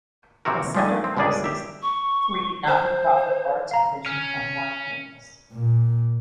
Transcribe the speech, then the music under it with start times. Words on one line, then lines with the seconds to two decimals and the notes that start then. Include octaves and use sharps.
The center houses three not-for-profit arts divisions on one campus.
0.45 C3 E3 C4 F#4 A#4
0.75 F3 G#3 A3 D4 D#4 G#5
1.04 C4
1.17 G1 C#2 G3 D4 G#4 D5
1.44 G4 E5
1.82 C#6
2.67 C5
3.71 F5 A#5
4.06 C#4 F6
5.52 A#2